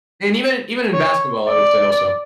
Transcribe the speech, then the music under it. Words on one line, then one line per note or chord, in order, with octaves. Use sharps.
and even in even in basketball, I would say also.
C#5
D5